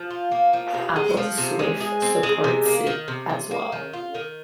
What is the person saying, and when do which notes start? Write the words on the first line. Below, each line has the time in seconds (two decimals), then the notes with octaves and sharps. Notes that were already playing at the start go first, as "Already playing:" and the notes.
Apple's Swift supports it as well.
Already playing: F3
0.10 F4
0.32 A#3
0.53 F3
0.74 C3
0.96 G#3
1.17 F3
1.38 C3
1.59 G#3
1.80 G#4
2.02 C4
2.23 G#3
2.44 C3
2.66 A#3
2.87 D#3
3.08 C3
3.30 C3
3.51 A#3
3.72 D#3
3.93 F4
4.15 D#3